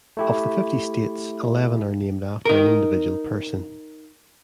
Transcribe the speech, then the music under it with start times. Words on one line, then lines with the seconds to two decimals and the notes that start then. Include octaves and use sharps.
Of the fifty states, eleven are named after an individual person.
0.17 A3 E4 G4
2.45 D#4 A#4